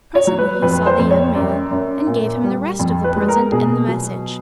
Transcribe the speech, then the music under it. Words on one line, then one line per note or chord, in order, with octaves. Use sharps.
Presently he saw the young man, and gave him the rest of the present and the message.
C#5
F#3
B4
F2 B4
C5
F2
C#5
F#2 D5
F#2
A#2
G3
F2
B4
G#3
A#4
B2 G#4
F#3